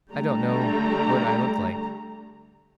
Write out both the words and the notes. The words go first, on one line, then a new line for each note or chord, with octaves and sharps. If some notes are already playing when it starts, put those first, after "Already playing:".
I don't know what I looked like.
D3 G3 A3 A#5